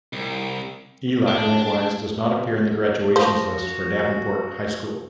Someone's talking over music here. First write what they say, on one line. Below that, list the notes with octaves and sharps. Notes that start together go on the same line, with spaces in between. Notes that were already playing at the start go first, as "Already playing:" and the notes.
Ely likewise does not appear in the graduations lists for Davenport High School.
C2
D4
F3 F#4 C5